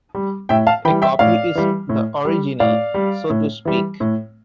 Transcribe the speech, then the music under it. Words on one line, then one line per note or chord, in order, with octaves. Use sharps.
A copy "is" the original, so to speak.
G3
A2 E5 G5
F5 A5
E3 G3 G5 B5
E5 G5
A2 D5 F5
E3 G3
A2
G3
A2 D5 F5
G3
A2
E3 G3
A2